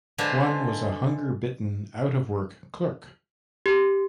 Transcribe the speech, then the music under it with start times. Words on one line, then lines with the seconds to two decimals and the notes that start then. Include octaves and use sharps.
One was a hunger-bitten, out-of-work clerk.
0.18 D3 G#3 D4 F4 B4 C5
3.66 G4